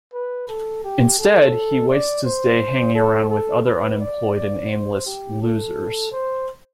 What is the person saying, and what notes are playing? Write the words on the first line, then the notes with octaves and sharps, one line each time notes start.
Instead, he wastes his day hanging around with other unemployed and aimless "losers".
B4
A4
G4
A4
D5
C5
A4
A4
B4
D5
D5
C5
G4
A4
C5